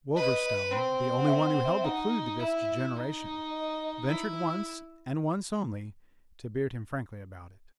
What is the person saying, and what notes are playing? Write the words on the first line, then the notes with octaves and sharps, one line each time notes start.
Wolverstone, the only one who held the clue to this degeneration, ventured once--and once only--to beard him frankly about it.
B4 D#5
C4
F#5
E5
F#5
E5
E5
D#4 F#5
E4 E5
D#4
D#5
E4